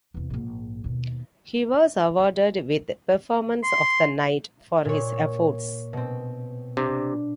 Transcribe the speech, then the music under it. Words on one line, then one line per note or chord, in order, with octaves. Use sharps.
He was awarded with "Performance of the Night" for his efforts.
E2 C3
A#1 G#2
D#2 B2
C6
A#2 C#5
B2 C4
C3 D4